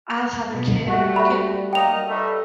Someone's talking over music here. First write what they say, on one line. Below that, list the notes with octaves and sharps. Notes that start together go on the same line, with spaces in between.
I'll have a kid, and we can
B2
G3 A3 F#4
E5 B5
F#3 A#3 D#4 D#5 G5 F7
G2 G3 A3